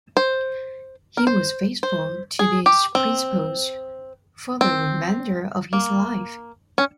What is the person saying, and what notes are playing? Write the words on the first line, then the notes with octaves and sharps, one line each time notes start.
He was faithful to these principles for the remainder of his life.
C5
A#4
C5
C5
G#4
G4
C4
C4
A#3
C#4